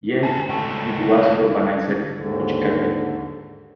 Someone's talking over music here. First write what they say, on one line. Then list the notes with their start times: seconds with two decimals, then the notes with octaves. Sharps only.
Yet, it was urbanised much earlier.
0.23 G#4 A4
0.49 C#2 A3
2.14 D#2 G#2 D3